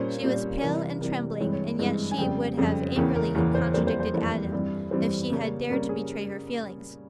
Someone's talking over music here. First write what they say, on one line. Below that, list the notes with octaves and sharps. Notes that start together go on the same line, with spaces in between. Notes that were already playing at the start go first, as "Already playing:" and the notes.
She was pale and trembling, and yet she would have angrily contradicted Adam, if she had dared to betray her feelings.
Already playing: A#2 G3 C#4 C5
A#2 G3 C#4
C3 E3 G3 A#4
C3 E3 G3 A#4
G2 E3 G#3 C4 C#5
C#5
G2 E3 G#3 C4
G#5
F2 C#3 G3 C4 G5
F2 C#3 G3 C4
E2 C#3 E3 A#3 C#4 G5
A#4
E2 C#3 E3 A#3 C#4 A#4
C5
F2 E3 G3 A#3 C5
C5
C5
F2 E3 G3 A#3
G2 E3 G3 C4
G2 E3 G3 C4 C5
C#3 G3 A#3 C#4
C#3 G3 A#3 C#4 A#4
G#4